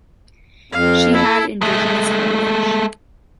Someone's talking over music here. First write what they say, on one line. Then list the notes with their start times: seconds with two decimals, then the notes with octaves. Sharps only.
She has indigenous heritage.
0.72 F2 F5
1.13 E4 A4
1.61 G#3 A3